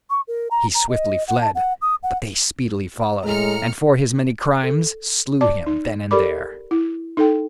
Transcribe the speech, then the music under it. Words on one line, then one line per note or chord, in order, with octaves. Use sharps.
He swiftly fled, but they speedily followed, and for his many crimes slew him then and there.
C#6
A#4
A#5
A#5
D#5
F#5
A5
F#5
D#6
F#5
A2 G#3 A#5 F6 C#7
A4
D5 A5 D6
D#4
G4 A4 A#4 D5 B5 D6
E4
D#4 A4 G5